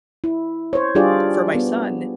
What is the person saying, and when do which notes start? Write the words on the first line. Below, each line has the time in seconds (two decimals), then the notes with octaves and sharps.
for my son,
0.24 E4
0.73 C5 C#5
0.95 G3 D4 F4 G4 G#4 D5
1.55 B3